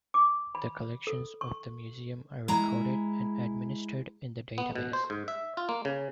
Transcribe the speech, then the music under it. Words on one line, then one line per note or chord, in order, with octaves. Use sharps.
The collections of the Museum are recorded and administered in the database.
D6
B5
A4
C#6
G#3 E4 A#5
B3
B2
C5
G#2
E5
F4
A#3
C#3